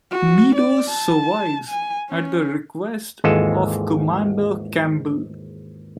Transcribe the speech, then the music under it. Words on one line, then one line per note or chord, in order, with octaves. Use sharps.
Meadows survives at the request of Commander Campbell.
F#4
D5
A5
G#5
C#4
G#1 D#2 E3 G#3 F4 A4